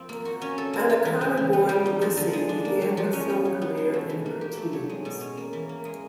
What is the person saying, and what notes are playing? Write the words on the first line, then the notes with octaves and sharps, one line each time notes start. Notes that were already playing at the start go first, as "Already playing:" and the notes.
Ancona-born Lisi began her film career in her teens.
Already playing: F3 C4
A#3
F#4
C#4
A4
A#3
F4
E3
C#3
E3
B3
G3
D#4
F3
D3
G#3
D4
A#3
F#3
F3
C#4
B3
F#3
B3
G#3
A3
E3
A#3
G4
A3
F#3
G#3
B2
C#4
A#3
E3
A#3
G#3